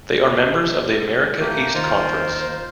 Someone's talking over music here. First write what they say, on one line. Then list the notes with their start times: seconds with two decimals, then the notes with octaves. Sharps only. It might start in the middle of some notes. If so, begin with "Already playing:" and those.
They are members of the America East Conference.
0.20 C3
1.40 A3 A#3 G4 A#4
1.75 D#2 D#4 F4 A#4 C5